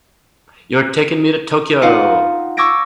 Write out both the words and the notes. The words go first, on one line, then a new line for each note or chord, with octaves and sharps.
You're takin' me to Tokyo!
D#4 F4 F5 F#5 A#5
C#6 D6 E6 G#6 A#6 D7